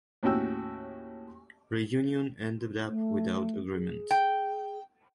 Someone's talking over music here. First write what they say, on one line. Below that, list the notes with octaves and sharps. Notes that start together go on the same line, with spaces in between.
Reunion ended up without agreement.
D#2 A2 C#4 F#4 G5 E6
A3
G#4
G5